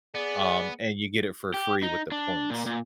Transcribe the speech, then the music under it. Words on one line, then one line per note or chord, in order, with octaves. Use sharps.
um, and you get it for free with the points.
B3 G#4 D5
G4
D#4
D4
A#2
A#2